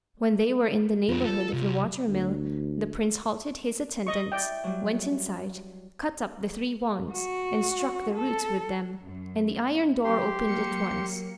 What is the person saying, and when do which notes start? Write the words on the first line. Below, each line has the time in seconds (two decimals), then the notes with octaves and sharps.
When they were in the neighbourhood of the water-mill, the prince halted his attendants, went inside, cut up the three wands, and struck the root with them, and the iron door opened at once.
1.09 F2 D4 F4
1.25 A4
1.53 C2
2.08 D2
4.07 D#5 C#6
4.32 E4 D5 G5
4.64 F#3 G3
7.13 F#4
8.16 A4
9.04 F#2
10.04 F#3 G4 C6
10.47 F#3 A#3 C#7